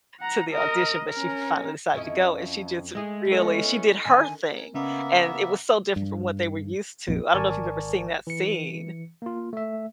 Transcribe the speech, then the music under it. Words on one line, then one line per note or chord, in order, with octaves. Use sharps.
to the audition, but she finally decided to go, and she just really she did her thing, and it was so different from what they were used to, I don't know if you've ever seen that scene,
F#5 A#5
A#4 D#5
C#4 A#4
F2 C#4 E4 D#5
G#3 A3 G#4
B3 C#4 E4 A4 D#5
D3 D#3 D4 G#5
A#4 G#5
C#3 A#3 B3 C#4 D#5 E5
G2
A#1 F2
G#1 A#4 D5 G#5 A5 C#6
E3 C#7
A#3 F4
A3 E5